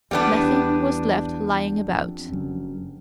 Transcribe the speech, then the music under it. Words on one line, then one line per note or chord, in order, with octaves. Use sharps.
Nothing was left lying about.
E2 G3 B3 D4
E2
F2
F#1 F#2